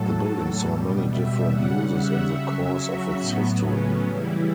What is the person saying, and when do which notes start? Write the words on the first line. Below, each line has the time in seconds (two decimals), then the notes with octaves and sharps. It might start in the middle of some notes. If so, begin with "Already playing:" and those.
The building saw many different uses in the course of its history.
Already playing: A2 F#3 A4
0.64 B2 G3
1.07 E5
1.49 C#3 G3 F#5
1.91 E5
2.35 C#3 F#3
2.77 F#4
3.20 A2 F#3 B3
3.62 C#4
4.05 C#3 E3 G3 E4